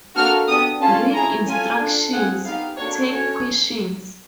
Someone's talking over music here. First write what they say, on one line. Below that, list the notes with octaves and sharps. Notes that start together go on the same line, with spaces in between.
Read Instructions. Take questions.
A#3 D4 F#4 A4 F6
B3 D4 G4 D#6
C#4 F4 A4 A5
C#4 E4 G#4 A#5
C#4 F4 A4 G#5
D4 F4 A4
C4 F4 G#4 F#5
B3 D#4 G4 F5
A#3 D4 F#4 A4 C#5
C#4 F#4 A4 C#5